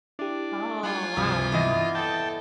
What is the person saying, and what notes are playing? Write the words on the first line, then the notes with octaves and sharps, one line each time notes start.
Oh, wow.
D4 E4 G4
G3 F4 F#5 G#5
C#2 G2 C3 F3 F#3 D#6
E2 E3 D#5 E5 A6 A#6
A4 G5 A5